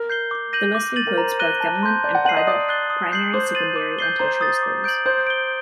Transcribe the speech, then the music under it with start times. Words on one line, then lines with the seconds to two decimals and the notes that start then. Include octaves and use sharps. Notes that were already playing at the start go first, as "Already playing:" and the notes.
The list includes both government and private primary, secondary and tertiary schools.
Already playing: A#4
0.10 G6 C7 G7
0.31 D6
0.53 G6 A#6 D#7 F#7
0.75 D6
0.96 A6 D#7 F#7
1.07 A#4
1.18 C5 A#5
1.39 F#6 A#6 D#7 G7
1.60 A5
1.83 C6 G6
2.04 D5 G6
2.15 F#5
2.25 F#5 C7 D#7 F#7
2.37 D#5
2.47 D5 D#6
2.69 F#6 A6 C7 G7
2.90 D#6
3.12 G6 C7 F#7
3.33 C5 D6
3.55 A6 D#7 F#7
3.76 D6
3.99 G6 C7 G7
4.20 C5 A#5
4.41 D#6 A6
4.63 D6
4.84 G6 D7 F#7
5.06 C5 G6
5.27 D7 G7